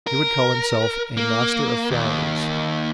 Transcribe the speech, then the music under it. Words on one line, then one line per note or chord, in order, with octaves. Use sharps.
He would call himself a Master of Flowers.
A#4
A#3
D#2